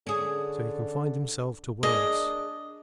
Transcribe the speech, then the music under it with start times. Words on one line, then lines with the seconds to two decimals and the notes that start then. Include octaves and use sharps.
So he confined himself to words.
0.07 D3 C#4 G#4
1.83 D4 G#4 A#4 D#5